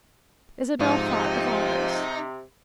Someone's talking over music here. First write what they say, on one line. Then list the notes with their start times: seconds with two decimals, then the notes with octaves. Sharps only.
Isabel thought of all this.
0.81 G#2 C3 F3 D#4